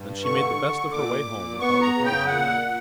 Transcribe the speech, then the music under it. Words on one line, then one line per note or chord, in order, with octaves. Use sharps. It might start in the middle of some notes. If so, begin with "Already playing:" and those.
Then she made the best of her way home without looking behind her.
Already playing: G2
D3 C#6
D3
A#2 D6
A#2
B3 C#6
A#5
C#3
G5
A#2 F#5
A#2